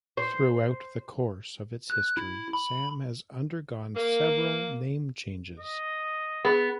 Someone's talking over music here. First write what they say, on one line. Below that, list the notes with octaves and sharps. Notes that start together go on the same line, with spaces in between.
Throughout the course of its history, Sam has undergone several name changes.
C5
F#6
E4
B5
A#3
D#5
B3 G#4